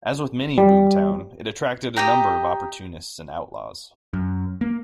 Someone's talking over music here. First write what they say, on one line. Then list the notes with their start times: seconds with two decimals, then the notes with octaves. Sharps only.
As with many a boomtown, it attracted a number of opportunists and outlaws.
0.58 G3
1.96 G4 D#5 G5 A#5
4.13 F#2
4.61 A#3